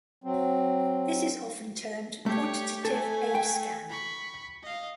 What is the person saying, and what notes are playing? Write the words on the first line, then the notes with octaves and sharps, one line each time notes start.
This is often termed quantitative A-scan.
F#3 C4
A3 G4 C#5
A3 A4 G#5
G5
B5 C#6
D#5 F5